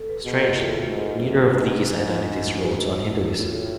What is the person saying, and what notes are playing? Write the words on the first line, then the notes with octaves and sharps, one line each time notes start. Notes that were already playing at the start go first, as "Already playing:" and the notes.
Strangely, neither of these identities wrote on Hinduism.
Already playing: A4
B4
B2 G#4
A4
F#4
A2 F4
G#2
F#2 G#4
F#4
F4
G#2 D4
C#4
A3
F#4
F#4
A2 F4